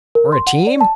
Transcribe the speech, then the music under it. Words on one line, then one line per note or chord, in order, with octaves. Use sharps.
'Or a team?'
A#4
C6
F#5
D5
A5